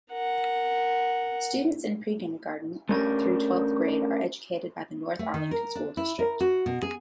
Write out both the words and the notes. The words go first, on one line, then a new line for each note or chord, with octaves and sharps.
Students in pre-kindergarten through twelfth grade are educated by the North Arlington School District.
A#4 F#5
A3 C#4 D4 G4 A#4
A3
D#3
A#4
D4
E4
A#4
F#4
B2
G#4